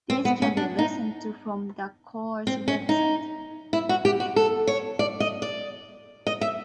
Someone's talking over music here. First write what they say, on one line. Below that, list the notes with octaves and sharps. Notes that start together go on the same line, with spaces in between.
These can be listened to from the choir's web site.
C4
B3
C#4
D4
D#4
C4
C#4
D#4
E4
F#4
G4
F#4
A4
C#5
D5
D#5
D5
D#5
E5